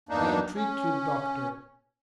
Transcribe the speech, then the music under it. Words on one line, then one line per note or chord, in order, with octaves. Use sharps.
"I entreat you, doctor!"
E2 G2 A#3 D4 D#4
C#4